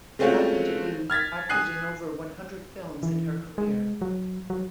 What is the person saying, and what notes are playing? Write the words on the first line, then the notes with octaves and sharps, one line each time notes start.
Padma Devi acted in over one hundred films in her career.
G#3 A3 C4 C#4 F4 F#4
F6 G#6 A6 B6
G#5 D#6 F#6 C7
E3
G#3
F#3
F#3